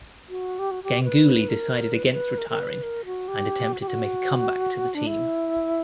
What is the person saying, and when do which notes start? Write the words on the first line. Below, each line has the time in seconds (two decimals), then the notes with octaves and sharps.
Ganguly decided against retiring and attempted to make a comeback to the team.
0.29 F#4
0.59 G4
0.71 F#4
0.83 G4
1.04 B4
1.49 A#4
1.94 B4
2.12 B4
2.38 A#4
2.49 A#4
2.60 B4
2.83 A#4
3.05 F#4
3.28 G4
3.73 F#4
3.81 G4
3.88 F#4
4.95 D4
5.07 E4